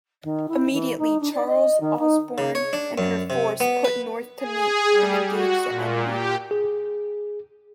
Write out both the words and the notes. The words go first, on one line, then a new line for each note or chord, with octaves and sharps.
Immediately, "Charles Ausburne" and her force put north to meet and engage the enemy.
D#3
E4
E3
D#4
D4
D5
D#5
D#3
D#4
C#3
C#5
D4
F#2
C3
B3
B4
G#4
G3
F#4
A#2
G4
G#4